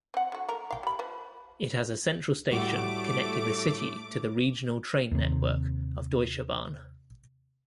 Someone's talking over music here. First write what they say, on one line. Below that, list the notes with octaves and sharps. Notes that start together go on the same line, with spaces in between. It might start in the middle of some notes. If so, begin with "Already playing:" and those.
It has a central station, connecting the city to the regional-train-network of Deutsche Bahn.
C4 F#5
D3 F#4
A3 A#4
F5 G5
G3 B5
F3 B4
A2 G3 A3 F#4 D6
D#2 C3